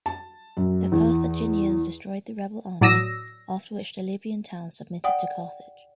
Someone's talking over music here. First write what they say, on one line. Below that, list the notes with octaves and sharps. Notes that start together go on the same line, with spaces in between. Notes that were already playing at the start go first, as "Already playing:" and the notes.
The Carthaginians destroyed the rebel army, after which the Libyan towns submitted to Carthage.
A5
F#2
E2
A2 F#3 D5 D#6 E6 A#6
D5 F#5 G5 D#6